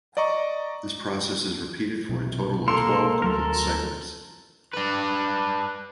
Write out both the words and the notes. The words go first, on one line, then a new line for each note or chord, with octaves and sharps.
This process is repeated for a total of twelve complete cycles.
D5 D#5 A#5 C#6
B1 C3
A#3 A4 A#4 C6
D2 F#3 A3 A4 A#4
D4 B4